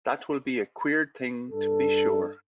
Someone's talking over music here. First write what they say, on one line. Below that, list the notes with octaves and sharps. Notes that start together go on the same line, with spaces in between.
That will be a queer thing, to be sure!
G2 D4 A4